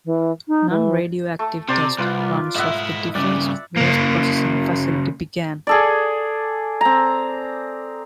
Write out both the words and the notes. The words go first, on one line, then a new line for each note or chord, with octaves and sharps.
Non-radioactive test runs of the Defense Waste Processing Facility began.
E3
D#4
E3
A3
C3 C5 D5 A#5
C2 F4 B4
G#2 E4 D#5 E5 F#5
G2 C#3 D5
C#3 A#3
G#4 A4 D5
C4 A#5